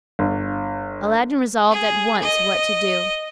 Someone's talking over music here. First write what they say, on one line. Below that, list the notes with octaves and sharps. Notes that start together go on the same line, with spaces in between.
Aladdin resolved at once what to do.
G1
G#4
D#5